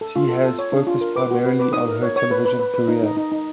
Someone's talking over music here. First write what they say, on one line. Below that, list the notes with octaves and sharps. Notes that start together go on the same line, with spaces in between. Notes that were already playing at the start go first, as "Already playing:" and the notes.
She has focused primarily on her television career.
A4
F4
A4
A4
C#5
D4
F4
A#4
B4 D6
F#4
B4
B4 D6
D#4 D#6
A#4
C#5
C#5
B4
B4
B4
B4
D#4
D#4
D#4
D#4